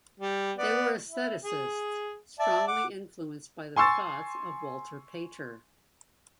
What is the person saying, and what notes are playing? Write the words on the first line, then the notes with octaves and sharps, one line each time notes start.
They were Aestheticists, strongly influenced by the thoughts of Walter Pater.
G3
B3 D5
E4
G#4
D5 E5 A5
F#5 D6
G#5 C6 C#6 E6 A6